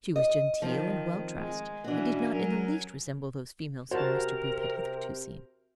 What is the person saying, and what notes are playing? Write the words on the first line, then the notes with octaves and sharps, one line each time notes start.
She was genteel and well drest, and did not in the least resemble those females whom Mr. Booth had hitherto seen.
D#5
D#3 F3 C4
G#3
B2 E3 C#4 D4 F#4
F#3 C#4 A#4
C3 F#4 A#4 C5 A5